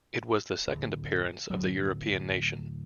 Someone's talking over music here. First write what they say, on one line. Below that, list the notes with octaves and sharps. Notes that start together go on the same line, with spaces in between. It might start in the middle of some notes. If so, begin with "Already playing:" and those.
It was the second appearance of the European nation.
D1
D1 F#3